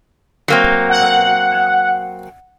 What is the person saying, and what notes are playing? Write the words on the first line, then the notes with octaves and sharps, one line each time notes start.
But old now.
F#3 A#3 C4
F#5